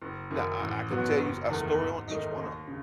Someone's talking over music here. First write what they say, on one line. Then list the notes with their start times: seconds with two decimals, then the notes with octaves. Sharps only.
now I I can tell you a story on each one of
0.02 F#1
0.31 F#2 D#3
0.60 A1
0.90 G#2 F#3 B3 F#4
1.20 F#1
1.49 E2 D#3 A3
1.79 G#2
2.08 D#3 A3 D#4
2.37 D#2
2.68 C#3